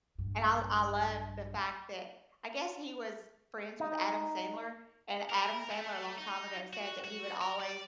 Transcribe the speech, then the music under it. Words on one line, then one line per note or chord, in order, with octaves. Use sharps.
And I l I love the fact that I guess he was friends with Adam Sandler, and Adam Sandler a long time ago said that he would always,
A#1 G2
D#4
A#4
A3
D#4
F#4
F#4
A#4
D5